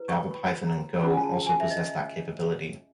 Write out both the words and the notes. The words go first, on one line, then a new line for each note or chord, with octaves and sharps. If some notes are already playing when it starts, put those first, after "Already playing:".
Java, Python and Go - also possess that capability.
Already playing: E4 B4
C#6
B5
A#5
C#4 F4 G#4 B5
G#5
A5
G#5
E5
D#5